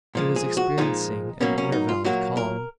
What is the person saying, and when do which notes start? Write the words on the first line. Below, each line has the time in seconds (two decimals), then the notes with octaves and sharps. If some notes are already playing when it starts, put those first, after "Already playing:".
He was experiencing an interval of calm.
0.15 A#2 F3 G#3
0.36 G#4
0.57 F#4
0.78 A#2 F3 G#3 D#4
1.40 B2 F#3 A#3 C#4
1.58 C#4
1.72 D#4
1.89 F4
2.04 A#2 F#3 A#3 F#4
2.37 A#4